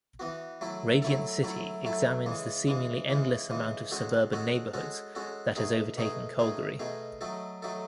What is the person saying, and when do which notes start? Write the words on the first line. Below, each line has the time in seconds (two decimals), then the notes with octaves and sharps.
"Radiant City" examines the seemingly endless amount of suburban neighbourhoods that has overtaken Calgary.
0.19 E3 B3 F#4
0.61 F#3 A3 E4 A4
1.02 F#3 A3 E4 A4
1.43 F#3 A3 E4 A4
1.84 F#3 A3 E4 A4
2.26 C#3 E3 G#3
2.67 C#3 E3 G#3
3.08 C#3 E3 G#3
3.50 C#3 E3 G#3
3.91 G#3 C#4 F#4 A4
4.32 G#3 C#4 F#4 A4
4.74 G#3 C#4 F#4 A4
5.15 G#3 C#4 F#4 A4
5.56 B2 A3 D#4 G#4
5.98 B2 A3 D#4 G#4
6.39 B2 A3 D#4 G#4
6.79 B2 A3 D#4 G#4
7.21 F#3 A3 D#4 A4
7.62 F#3 A3 D#4 A4